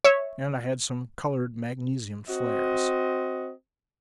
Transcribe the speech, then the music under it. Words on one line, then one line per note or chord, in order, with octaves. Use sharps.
And I had some colored magnesium flares.
C#5 E5
C4 F#4 D#5